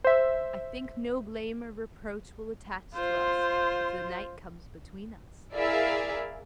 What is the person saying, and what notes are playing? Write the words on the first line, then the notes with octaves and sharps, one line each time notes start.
I think no blame or reproach will attach to us if the night comes between us.
C5 E5
F4 C5
E4 G#4 A#4 D5 E5 F5